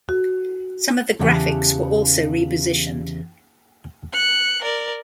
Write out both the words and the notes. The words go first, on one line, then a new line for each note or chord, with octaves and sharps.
Some of the graphics were also re-positioned.
F#4
E2 C#3 E3 G4 F#5 A5
F#6 C#7
A#4 D5